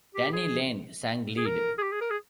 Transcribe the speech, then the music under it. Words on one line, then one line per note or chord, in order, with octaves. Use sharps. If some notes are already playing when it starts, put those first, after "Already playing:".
Denny Laine sang lead.
G4
G#4
G#4
A#4
G#4
G4
G#4
A#4
G#4